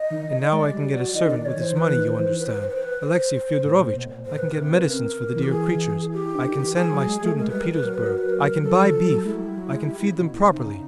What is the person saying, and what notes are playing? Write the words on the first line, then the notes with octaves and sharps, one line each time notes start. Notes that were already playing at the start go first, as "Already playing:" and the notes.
And now I can get a servant with this money, you understand, Alexey Fyodorovitch, I can get medicines for the dear creatures, I can send my student to Petersburg, I can buy beef, I can feed them properly.
Already playing: D#5
D#3
G#3 D5
G#3
G3
F#3
E3 D#5
D3
D#3 D5
C#5
E3
C5
E3 B4
D#3
C5
E3
B4
C5
B4
C5
B4
C5
B4
C5
A2
A#2
B2
A2
A#2
A2 C5
A#2 B4
A#4
C3
B4
C#3
C3 A#4
E3
G4
G#4
G4
D3
D#3
E3
F3 G#4
F#3
G#3
A3
G#3 A#4
G3 B4
A#4
B4
F#3 A#4
B4
F#3
A#4
B4
A#4
F#3 A4
F3
F#3
G#3 E4
F#3
G3
F#3
G#3
G3
C#3
B2
A#2
C#3
C3 D#4
D3
C#3